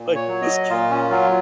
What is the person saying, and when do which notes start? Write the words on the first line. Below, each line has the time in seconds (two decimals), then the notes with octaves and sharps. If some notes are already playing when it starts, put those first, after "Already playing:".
Like, this kid
Already playing: A#2
0.15 C#5
0.28 F#3
0.42 D#5
0.70 A#2 F4
0.90 C#4
1.10 F#3 F4